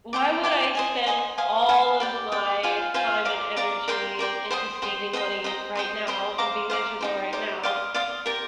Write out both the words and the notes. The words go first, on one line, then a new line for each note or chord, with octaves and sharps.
"Why would I spend all of my time and energy into saving money right now and be miserable right now
C5 G5 D6
C5 G5 D6
C5 D#5 G#5
C5 D#5 G#5
C5 F5 G#5 D#6
C5 F5 G#5 D#6
G4 D5 G5
G4 D5 G5
F4 C5 F5 G#5
F4 C5 F5 G#5
D5 F5 A#5 D6
D5 F5 A#5 D6
A#4 D5 G5 C6
A#4 D5 G5 C6
C5 G5 C6 D#6
C5 G5 C6 D#6
C5 D#5 G5 A#5
C5 D#5 G5 A#5
C5 G5 C6 D#6
C5 G5 C6 D#6
C5 F5 A#5 D6
C5 F5 A#5 D6
D#4 G4 C5
D#4 G4 C5
D5 F5 C6 D#6
D5 F5 C6 D#6
G4 A#4 D5